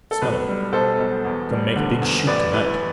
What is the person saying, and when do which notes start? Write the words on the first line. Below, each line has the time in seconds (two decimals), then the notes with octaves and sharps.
Smell um--come make big shoot to-night.
0.11 A4
0.22 B1 B4
0.48 G3
0.73 B2 A4 C5
0.99 B1
1.25 E2
1.50 G3
1.76 D3
2.01 E2
2.27 A1 B4 D5
2.53 E3 B4